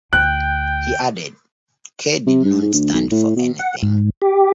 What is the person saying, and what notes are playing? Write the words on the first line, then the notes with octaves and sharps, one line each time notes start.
The added "K" did not stand for anything.
D2 G5 F#6
C3
G2
G#2
D2
B1
A2
B2
F#5
G#2
G4